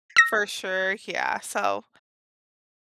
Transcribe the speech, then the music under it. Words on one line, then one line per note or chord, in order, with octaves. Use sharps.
For sure, yeah, so,
E6 A#6